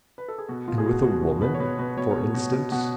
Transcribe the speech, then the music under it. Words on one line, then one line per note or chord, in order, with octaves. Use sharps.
And with a woman, for instance.
B4
A4
G#4
B2 F#4
B2 F4
G#4
B2 F#4
B2 F#4
B2
B2 B4
C#5
B2 B4
B2 B4
B2 C#5
B2
B2
B2
B2 F#5